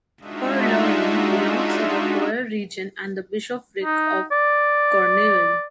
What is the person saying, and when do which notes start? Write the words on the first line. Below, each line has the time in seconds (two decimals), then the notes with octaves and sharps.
Poullaouen belonged to the Poher region and the bishopric of Cornouaille.
0.19 G#3 D4 D#4 F4 F#4 E5
3.84 D#4
4.32 D5